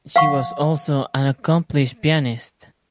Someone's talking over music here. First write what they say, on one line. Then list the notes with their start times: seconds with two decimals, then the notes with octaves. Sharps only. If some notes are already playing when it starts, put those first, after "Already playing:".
She was also an accomplished pianist.
0.16 F5 F#5 C#6